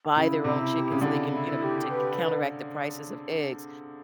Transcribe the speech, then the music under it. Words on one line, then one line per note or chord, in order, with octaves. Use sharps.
buy their own chicken so they can, you know, to c counteract the prices of eggs,
C#3 E4
C3 E4
G4
C#3
D3 E4
E4
G4
B4